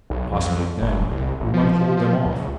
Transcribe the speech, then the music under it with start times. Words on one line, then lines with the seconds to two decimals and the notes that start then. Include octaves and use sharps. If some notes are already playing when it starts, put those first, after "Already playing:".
Possibly then we might hold them off.
0.10 B1
0.32 F2
0.81 G1
0.98 D#1
1.11 C2
1.41 A1
1.54 F3
1.97 F3
2.25 C#2